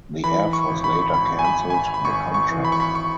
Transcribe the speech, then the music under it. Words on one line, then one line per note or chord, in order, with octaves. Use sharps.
The Air Force later cancelled the contract.
E3 B5
C#6
G#1
B5
C#6
B5
G#1 B5
G#5
B5
G#1
G#5
B5
B5
G#1 C#6
C#6
E3
B5
C#6
B5
C#6